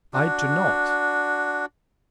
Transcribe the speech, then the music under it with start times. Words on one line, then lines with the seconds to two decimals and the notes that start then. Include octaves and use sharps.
I do not.
0.14 D4 F#4